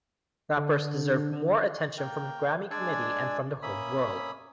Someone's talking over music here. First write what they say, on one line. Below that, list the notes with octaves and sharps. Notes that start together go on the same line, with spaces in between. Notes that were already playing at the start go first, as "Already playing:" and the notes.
Rappers deserve more attention from the Grammy committee and from the whole world.
D3
A#3 A#4 G5
G#3 D4 D5 G#5 E6
A#3 C#4 E5 B5 D#6